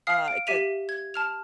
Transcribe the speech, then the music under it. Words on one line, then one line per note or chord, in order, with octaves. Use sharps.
uh, 'cause
F5 D#6 F6 C7
D7
G4 E5 B6 D#7 F7
G#6
A5 F6 F7